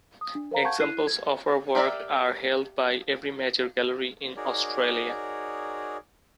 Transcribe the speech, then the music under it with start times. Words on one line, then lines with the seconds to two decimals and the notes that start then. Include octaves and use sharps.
Examples of her work are held by every major gallery in Australia.
0.21 D#6
0.35 D4
0.51 A#4 C5 F5 A#5
0.64 F5 F#5 A5 C#6 G6 G#6
0.79 E4 F#6 C7 D#7
1.07 G#6
1.75 G4 A#4 D5 E5
4.37 D#4 F#4 G#4 A#4 C#5 D5